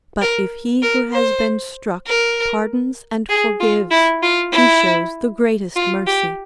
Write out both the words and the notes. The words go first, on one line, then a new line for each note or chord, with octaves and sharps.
But if he who has been struck pardons and forgives, he shows the greatest mercy.
A#4
A#4
C5
A#4
G#4
F4
E4
F4
E4
F4
G4